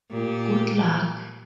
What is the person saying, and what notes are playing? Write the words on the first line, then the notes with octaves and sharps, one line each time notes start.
Good luck?
A#2 G4